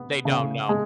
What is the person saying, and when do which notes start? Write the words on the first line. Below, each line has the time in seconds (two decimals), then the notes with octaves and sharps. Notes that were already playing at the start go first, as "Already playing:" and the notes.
They don't know.
Already playing: B3
0.25 C#3
0.69 G#3